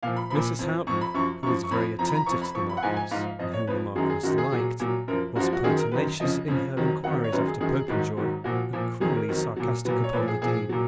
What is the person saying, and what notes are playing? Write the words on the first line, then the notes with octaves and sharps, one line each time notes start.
Mrs. Houghton, who was very attentive to the Marquis and whom the Marquis liked, was pertinacious in her enquiries after Popenjoy, and cruelly sarcastic upon the Dean.
A#2 F3 F5
B5
A#2 F3 B5
F2 F3
F2 F3 C#6
B5
F#2 F3 C#6
F#2 F3 C#6
C#6
F2 F3 B5
F2 F3 A#5
B5
A#5
F2 F3 C#6
B5
F2 F3 C#6
B5
F#5
G#2 F3 G#5
G#5
G#2 F3 F5
F5
F2 F3 D#5
C#5
F2 F3 B4
F#2 D#3 F#3 G#4
G#4
F#2 D#3 F#3 F#4
G#4
A#2 F#3
A#2 F#3
F#2 F3 A#4
F#2 F3 F#4
F#4
F#2 D#3 F#3 G#4
A#4
F#2 D#3 F#3 B4
F2 C#3 F3 D#5
F2 C#3 F3
F2 D#3 F#3
F2 D#3 F#3 F#5
C#5
F#2 D#3 F#3 B4
G#4
F#2 D#3 F#3 G#4
G#2 D#3 F#3
G#2 D#3 F#3
A#2 F3 F#4
A#2 F3
F2 D#3 F#3 G#4
A#4
F2 D#3 F#3
A#2 F#3
A#2 F#3 B4
C#5
A#2 F3 B4
G#4
A#2 F3 G#4
A#2 F#3